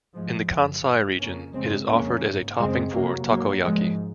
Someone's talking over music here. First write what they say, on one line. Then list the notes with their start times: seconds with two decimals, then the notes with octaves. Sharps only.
In the Kansai region, it is offered as a topping for "takoyaki".
0.14 G#2 F3 G#3
0.50 F#2 C#3
0.85 G#2
1.19 F2 C#3 A#3 C#4
1.54 F#2 C#3 G#3 C4
1.88 F2 C#3 A#3 C#4
2.23 G#2
2.59 F#2 C#3 G#3 C4
2.93 F2 C3 F#3 A#3
3.28 G#2 F#3 A#3
3.63 G#2 F3 G#3